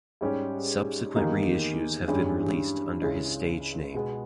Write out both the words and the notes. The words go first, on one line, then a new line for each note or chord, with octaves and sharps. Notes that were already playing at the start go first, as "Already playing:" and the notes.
Subsequent reissues have been released under his stage name.
G#2 G3 C#4 G4
E2 D#3 A#3 D#4 G4
G2 E3 G#3 C#4 G4
C#2 C#3 G#3 C#4 E4
B2 G#3 B3